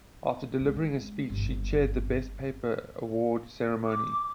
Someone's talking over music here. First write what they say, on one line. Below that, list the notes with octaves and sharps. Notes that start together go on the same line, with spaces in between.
After delivering a speech, she chaired the best paper award ceremony.
G#3
G1
D6